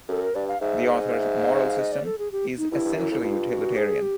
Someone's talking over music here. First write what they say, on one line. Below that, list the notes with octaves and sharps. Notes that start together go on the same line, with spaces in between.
The author's moral system, is essentially utilitarian.
F#2 A4
A#4
G2 D5
F5
G#2 E5
D#5
F5
E5
F5
E5
F5
D#5
D5
A4
G#4
G4
D#4
G2 E4
G2
F#2 E4
F2
F#2
G2 F4
F#4
G#4
G4